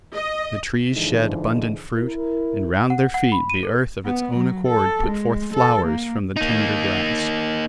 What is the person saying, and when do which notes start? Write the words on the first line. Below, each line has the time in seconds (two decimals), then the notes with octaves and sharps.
The trees shed abundant fruit, and round their feet the earth of its own accord put forth flowers from the tender grass.
0.14 D#5
0.93 G#2 D3 E3 F3 G#3 D#4
1.97 E4 A#4
2.90 F#5
3.14 F#5
3.32 B5
3.50 D#7
3.63 A4
4.05 B3
4.37 F#3
4.67 A4
5.06 G#3
5.53 A4
5.86 A#3
6.36 A#3 D#4